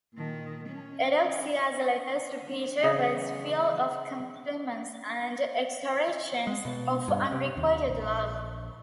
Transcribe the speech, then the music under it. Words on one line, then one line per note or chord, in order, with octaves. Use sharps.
Eudoxia's letters to Peter were full of complaints and exhortations of unrequited love.
A#2 D#3
C#4
C#3 D#5
G#3
B2
G2
C3
D#2
A#1